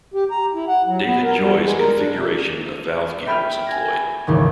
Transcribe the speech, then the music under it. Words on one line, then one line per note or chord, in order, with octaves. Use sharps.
David Joy's configuration of valve gear was employed.
G4
A#5
E4
F#5
F#3
B3
A#4
G3
G#3
A#4
D4
C3
E5 G5 B5 E6 F6 D#7
G#5 G#6 A#6
G#1 D#2 C#3 E3